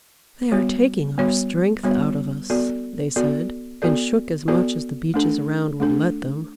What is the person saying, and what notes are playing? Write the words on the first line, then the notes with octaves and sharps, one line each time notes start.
"They are taking our strength out of us," they said, and shook as much as the Beeches around would let them.
G3 B3 F#4 C#5
G3 B3 F#4 C#5
G3 B3 F#4 C#5
B3 F#4 A4 D5
B3 F#4 A4 D5
B3 F#4 A4 D5
B3 F#4 A4 D5
A3 D4 A4
A3 D4 A4